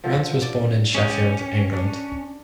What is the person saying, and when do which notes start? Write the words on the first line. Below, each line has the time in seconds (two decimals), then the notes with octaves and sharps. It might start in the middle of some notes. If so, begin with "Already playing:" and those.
Rands was born in Sheffield, England.
0.04 D3 F3
0.42 D5
0.95 G#3 C#4 G#4
1.09 G4
1.73 D4